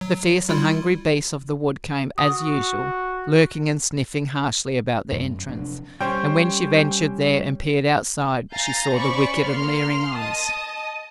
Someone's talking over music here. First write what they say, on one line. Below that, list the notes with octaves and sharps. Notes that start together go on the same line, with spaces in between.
The fierce and hungry beasts of the wood came, as usual, lurking and sniffing harshly about the entrance, and when she ventured there and peered outside she saw the wicked and leering eyes.
F#3
G3 E4 F4
F#4 D#6
F#2
F1 D4
G3 C#4 C5 C#5 G5
F5 G#5 A#5 G6 A6
C#4 C5 D5 B5 C#6 C#7
A#3 C6 F6
D#5 A5 D#6